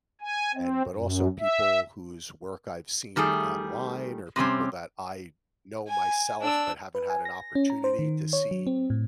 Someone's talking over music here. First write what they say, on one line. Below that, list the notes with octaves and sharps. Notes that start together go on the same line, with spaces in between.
and but, also, people whose work I've seen online or people that I know myself, but haven't had an opportunity to see
G#5
C4
F#2
E5
D#3 G3 A3 G#4
C3 G3 C4 C#4
G#5
D4 E6
B4
G#5
A#6
C#4
A#5
C5
D#3
C#5
F#3
C4
A2